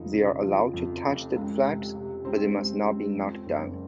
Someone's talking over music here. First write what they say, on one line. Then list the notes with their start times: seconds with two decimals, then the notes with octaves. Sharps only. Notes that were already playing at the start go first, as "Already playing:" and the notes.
They are allowed to touch the flags, but they must not be knocked down.
Already playing: F1 F3 D#4
0.13 C#3
0.43 F3
0.74 F2
1.03 F1
1.34 C#2
1.65 C3
1.95 C3
2.25 C#2 C4
2.55 C#2
2.86 C#2
3.16 F2
3.46 F#1